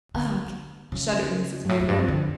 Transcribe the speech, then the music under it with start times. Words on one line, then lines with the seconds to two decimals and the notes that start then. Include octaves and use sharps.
"Ugh!" shuddered Mrs. Merideth.
0.14 D3
0.92 C#3
1.64 G2
1.69 A2
1.80 F2
1.89 G2
1.98 F2
2.08 D3